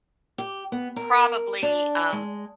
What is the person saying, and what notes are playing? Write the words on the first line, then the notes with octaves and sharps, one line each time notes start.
probably, um,
G4
B3
A#4
D4
G#3